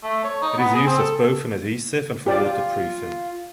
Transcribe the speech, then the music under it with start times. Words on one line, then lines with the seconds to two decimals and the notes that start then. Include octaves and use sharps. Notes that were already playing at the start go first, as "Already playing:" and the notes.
It is used as both an adhesive and for waterproofing.
0.03 A3
0.24 C#5
0.42 D#4
0.58 B3
0.74 G#4
0.87 C4
0.99 A4
2.26 F4 G4 D5